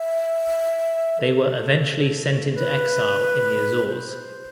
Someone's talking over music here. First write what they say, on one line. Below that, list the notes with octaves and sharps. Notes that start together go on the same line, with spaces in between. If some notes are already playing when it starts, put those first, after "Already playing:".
They were eventually sent into exile in the Azores.
Already playing: E5
A4
B4
C5